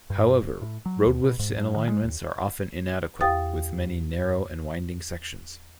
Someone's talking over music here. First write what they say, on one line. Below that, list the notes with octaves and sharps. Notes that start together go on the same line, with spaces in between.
However, road widths and alignments are often inadequate, with many narrow and winding sections.
G2
A2
F#3
D#2
B2
G#2
G2
D#3
G#3
D#2
E2 G4 F5 G5 D#6 A6